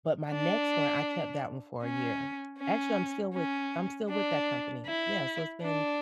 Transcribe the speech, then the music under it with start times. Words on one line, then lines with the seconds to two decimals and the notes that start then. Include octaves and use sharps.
but my next one, I kept that one for a year. Actually, I'm still with I'm still with that company. Yeah, so, it's been
0.30 D4
1.82 C#4
2.58 C#4
3.34 C#4
4.10 D4
4.86 E4
5.62 D4